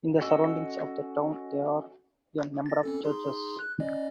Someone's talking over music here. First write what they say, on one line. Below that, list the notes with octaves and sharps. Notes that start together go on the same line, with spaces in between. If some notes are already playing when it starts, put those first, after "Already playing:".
In the surroundings of the town there are a number of churches.
C#4 F#4 A4 D#5 E6
A6 A#6
C4 C#4 A4
D#4 G#4 C6
F#6
C#4 D5 D#5